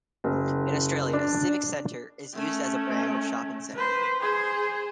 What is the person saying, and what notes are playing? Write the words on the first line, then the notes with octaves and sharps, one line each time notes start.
In Australia, Civic Centre is used as a brand of Shopping Centre.
F#1
D4
A3 C#4
B4 C5
G#4 C5